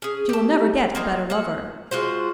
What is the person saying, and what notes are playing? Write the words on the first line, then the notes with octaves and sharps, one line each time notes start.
"She will never get a better lover."
C#4 G#4
G4 A5
A#3 C4 D#4
A#3 F#5
G#3 F4 F#4 C5